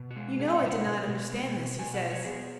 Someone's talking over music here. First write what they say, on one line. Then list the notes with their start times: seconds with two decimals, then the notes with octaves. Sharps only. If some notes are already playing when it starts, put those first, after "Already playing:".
"You know I did not understand this," he says.
Already playing: B2
0.11 F#4
0.16 G#3
0.39 B2 G#4
0.48 G#5
0.55 F#5
0.62 B2 E5
0.71 F#5
0.86 B2
1.09 B2
1.32 B3
1.55 B2
1.79 B2 G#5
1.94 F#5
2.01 F#3
2.10 C#5
2.25 B3 G#4